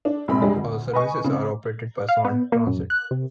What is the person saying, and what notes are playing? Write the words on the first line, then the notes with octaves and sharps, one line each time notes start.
All services are operated by Swan Transit.
D4
A#1 C3 G#3 C4 B5
F2 G3 G#3 D4 G4
D2
B4 D#5 G#5 C#6
C#3 C4
F5
B3
A#3
F#2
F#6
C3